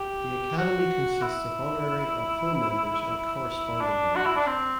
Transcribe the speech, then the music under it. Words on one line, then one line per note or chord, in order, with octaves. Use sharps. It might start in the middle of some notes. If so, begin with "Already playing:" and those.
The Academy consists of honorary and full members and corresponding members.
Already playing: G4
F#4
E4
D4
F#4
E4
D4
C4